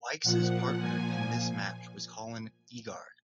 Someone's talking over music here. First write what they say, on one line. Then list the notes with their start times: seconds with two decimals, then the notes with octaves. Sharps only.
Wykes' partner in this match was Colin Egar.
0.23 A#2 F3 F#5
0.78 G#5